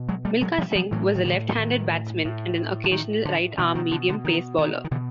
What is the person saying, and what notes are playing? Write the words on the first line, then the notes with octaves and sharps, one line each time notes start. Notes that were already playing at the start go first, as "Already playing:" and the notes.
Milkha Singh was a left-handed batsman and an occasional right arm medium pace bowler.
Already playing: B2
F#3 G#3
G3 A3
F#3 G#3
F3 G3
F3 G3
A2 E3 F#3
D#3
D3 E3
D#3
A2
D3
D#3
D3
B2 D#3
D#3
D3
D3
D#3
D#3
D#3
B2 D3 E3